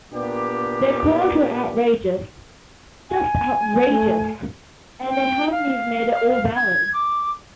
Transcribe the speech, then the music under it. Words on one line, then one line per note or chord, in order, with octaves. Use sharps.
Their chords were outrageous, just outrageous, and their harmonies made it all valid.
A#2 B3 D4 G4
G#5
A3
G5
F5
G#6
D6